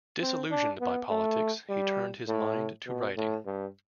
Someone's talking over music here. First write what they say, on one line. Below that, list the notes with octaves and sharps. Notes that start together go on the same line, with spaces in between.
Disillusioned by politics, he turned his mind to writing.
C4
D4
B3
A3
G3
A2
B2
A2
G2